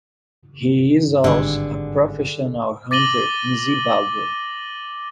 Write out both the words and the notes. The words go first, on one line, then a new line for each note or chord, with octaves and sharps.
He is also a professional hunter in Zimbabwe.
G#1 G2 D3 G3 G#4
D6 A6 A#6 D#7 F#7 G7